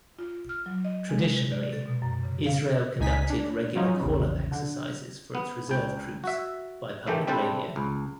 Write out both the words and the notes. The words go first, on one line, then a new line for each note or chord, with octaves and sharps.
Traditionally, Israel conducted regular call-up exercises for its reserve troops by public radio.
F4
F6
F#3
D#5
G#3
C3
D5
A4
B2
F#2
C#3
F5
C#2 D#4 G#5 B6
D4
F3 F#3 C#4 D#4 F4
A#1 E2 C#3
D3
B3
C#2 G5
F#4 E5
D#3 E3 A3 G4 A4
G3 C4 D4 E4 G4 A4
C#2